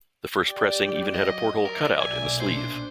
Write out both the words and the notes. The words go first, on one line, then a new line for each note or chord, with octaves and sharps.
The first pressing even had a porthole cut out in the sleeve.
G4 D5 G5
F#3
D#5
A#4 D5 E5
B1 A#2 G#5
D4 C5